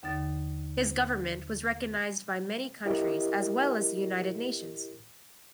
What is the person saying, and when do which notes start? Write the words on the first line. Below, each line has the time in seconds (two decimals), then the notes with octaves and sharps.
His government was recognized by many countries, as well as the United Nations.
0.03 D#2 D3 D#4 A6
2.86 E4 G4 A#4 D#5